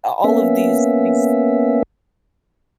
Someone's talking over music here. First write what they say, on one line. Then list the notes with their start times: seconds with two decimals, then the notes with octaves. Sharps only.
a all of these these
0.24 A#3 B3 C#4 E5